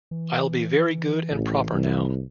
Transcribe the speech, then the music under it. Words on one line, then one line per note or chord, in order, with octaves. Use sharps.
I'll be very good and proper now.
E3
A1
C2